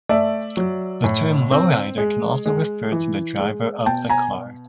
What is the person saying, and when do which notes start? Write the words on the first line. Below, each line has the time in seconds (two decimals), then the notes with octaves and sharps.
The term "lowrider" can also refer to the driver of the car.
0.09 A3 D5 E5
0.57 F#3
1.04 A2
1.51 C4
1.98 G#3
2.46 G#3
2.92 E3
3.39 G#3
3.86 B2 G5 A5
4.09 G#5 A#5